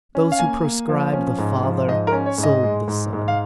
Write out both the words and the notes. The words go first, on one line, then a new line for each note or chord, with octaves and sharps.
Those who proscribed the father, sold the son.
C#4
F5
A#3 G#5
A#3
F3
C#4
G#2
F3
G#2 D#5
A#4
C#4
C#5
G#2
D#5
G#3
G#2
G#2
F5